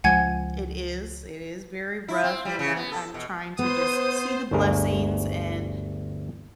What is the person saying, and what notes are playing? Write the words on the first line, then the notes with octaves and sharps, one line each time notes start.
It is, it is very rough and that I'm trying to just see the blessings and
C#2 F3 G#3 F#5 G#5 G#6
E4
C4
G3
C#3
B3
A4
B2
B3 C5 D#6
G1 D2 G#4 A#4